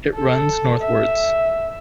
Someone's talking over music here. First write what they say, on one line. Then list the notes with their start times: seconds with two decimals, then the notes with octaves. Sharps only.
It runs northwards.
0.14 A4
0.82 E5